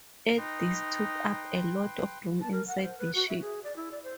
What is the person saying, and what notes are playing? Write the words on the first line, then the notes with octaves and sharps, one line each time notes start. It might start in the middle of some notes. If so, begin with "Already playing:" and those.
At this took up a lot of room inside the ship.
D#4 B4 G5 C6
A5
A#4
F#5
C5
B4
F#4
E5
G#4
D5
E4
D5
C5